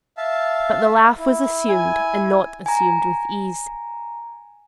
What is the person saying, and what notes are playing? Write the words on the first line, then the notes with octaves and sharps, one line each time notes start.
But the laugh was assumed, and not assumed with ease.
E5 F5 A5
E4
G#5
G#5 A#5